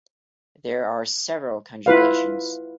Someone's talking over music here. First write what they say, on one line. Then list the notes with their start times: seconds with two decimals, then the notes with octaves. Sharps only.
There are several conjugations.
1.86 E4 F4 B4 F5